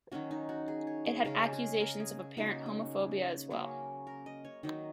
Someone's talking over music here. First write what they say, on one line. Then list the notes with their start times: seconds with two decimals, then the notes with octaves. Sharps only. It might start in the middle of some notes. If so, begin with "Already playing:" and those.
It had accusations of apparent homophobia as well.
0.12 D#3 F#3 C#4 F#4
0.31 D#4
0.49 F#4
0.68 G#4
0.87 C#5
1.06 G#4
1.25 C#3 G#3 C#4 A#4
1.53 G#4
1.81 A#4
2.00 G#4
2.19 G#4
2.37 C#3 A#3 D#4 F#4
2.66 G#4
3.50 F#3 A#3 C#4
4.07 A#4
4.26 D#5
4.45 C#5
4.63 D#3 F#3 D#4 D#5